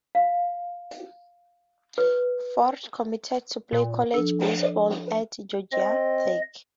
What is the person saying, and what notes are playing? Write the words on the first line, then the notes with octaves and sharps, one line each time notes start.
Ford committed to play college baseball at Georgia Tech.
F5
B4
A#2
F3 D4 A4
C4 D#5